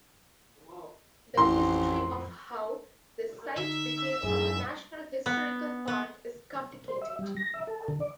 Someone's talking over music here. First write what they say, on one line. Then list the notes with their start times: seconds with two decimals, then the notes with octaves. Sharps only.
The history of how the site became a National Historical Park is complicated.
1.37 A1 F2 A2 C6
3.57 D3 D#4 E5
4.23 F#2 A2 A3 G#4
5.26 B3
5.88 B3
6.88 C5
7.02 E5
7.19 G3
7.36 A#6
7.54 E5
7.67 A4
7.88 D3
8.00 D5